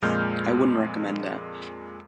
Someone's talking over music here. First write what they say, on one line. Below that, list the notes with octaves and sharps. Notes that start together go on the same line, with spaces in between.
I wouldn't recommend that.
F2 A#2 G#3 F6 G6